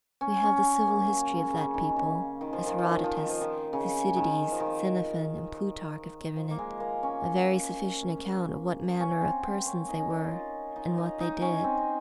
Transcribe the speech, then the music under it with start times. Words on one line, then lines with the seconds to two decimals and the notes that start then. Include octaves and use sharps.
We have the civil history of that people, as Herodotus, Thucydides, Xenophon, and Plutarch have given it; a very sufficient account of what manner of persons they were and what they did.
0.21 C#4
0.43 C#4
0.86 A#3
1.09 F#3
1.31 C#3
1.53 C#3
1.74 D#3
1.96 C#3
2.41 D#3
2.53 F3
2.66 D#3
2.79 F3
2.91 D#3
3.04 F3
3.17 D#3
3.29 F3
3.41 D#3
3.73 C#3
4.16 D#3
4.52 F3
4.60 D#3
6.36 F3
6.51 A#3
6.58 G#3
6.80 A#3
7.03 C#4
9.00 C#4
9.22 C4
9.44 C4
9.66 C#4
9.89 D#4
9.99 C#4
10.10 D#4
10.31 F4
10.76 D#4
10.98 D#4
11.20 D#4
11.42 C#4
11.64 C4